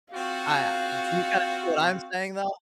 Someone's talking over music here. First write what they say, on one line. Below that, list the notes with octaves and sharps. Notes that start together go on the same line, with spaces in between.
I do you kinda see what I'm saying, though?
C4 F4 F#4 F5